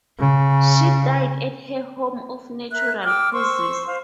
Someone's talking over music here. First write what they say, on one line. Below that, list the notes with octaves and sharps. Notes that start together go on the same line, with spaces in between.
She died at her home of natural causes.
C#3
A#4 E5 F#6
G5 D6 E6 F6
C5 C6 C#6 E6
C5 F5